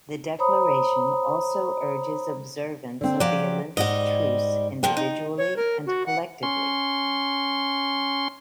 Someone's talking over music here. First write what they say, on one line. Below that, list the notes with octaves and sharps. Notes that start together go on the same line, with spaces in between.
The Declaration also urges observance of the Olympic truce individually and collectively.
C5 C#5 A#5 B5 D#6
D3 C4
F3 F#3 G4 D5
G#2 G3 D5 D#5 F#5
D3 F3 A#3 G5
D#4
C#5
A#4
F#4
F#5
C#4 C6